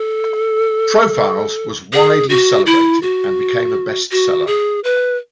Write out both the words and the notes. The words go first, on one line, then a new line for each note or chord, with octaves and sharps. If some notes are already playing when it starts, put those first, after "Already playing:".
"Profiles" was widely celebrated and became a best seller.
Already playing: A4
G#4
F#4
E4
F#4
F#4
G#4
B4